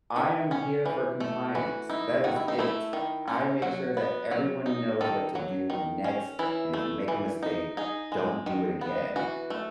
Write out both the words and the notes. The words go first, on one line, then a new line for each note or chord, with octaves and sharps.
I am here for compliance. That is it. I make sure that everyone knows what to do next, and if you make a mistake, don't do it again.
D#3
C#4
E3
A3
E3 F#4
D#4 E4
D#3 F#4
E4
D#4
A3 E4
D#3
C#4
F#3 F#4
B3
F#3
D#4
D#3 A4
F#3
D#3
C#4
E3 E4
A3
E3
D#4
D#4 G#4
G#3
D#3
B3
E3 F#4
A3